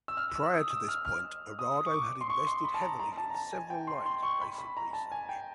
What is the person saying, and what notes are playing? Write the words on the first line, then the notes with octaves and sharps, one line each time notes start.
Prior to this point, Arado had invested heavily in several lines of basic research.
E6
F6
E6
D#6
E6
F6
F6
D#6
C#6
D6
C6
C#6
C6
B5
A5
A#5
A#5
A5
A#5
A5
G#5
G5
C6
C6
C#6
B5
B5
A#5
A5
G#5
G5